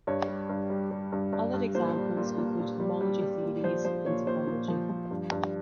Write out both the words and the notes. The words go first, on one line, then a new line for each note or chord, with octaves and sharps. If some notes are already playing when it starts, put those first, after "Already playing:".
Other examples include homology theories in topology.
G2 C#5
G3
G2
G3
G3
G2
G2
G2
A#2 C5
G3
A#2
A#2
A#2
G3
G3
G3
A#2
F3 C5
F3 C5
A#2 C#5
A#2 C5
A#2
F3
F3
G2
G2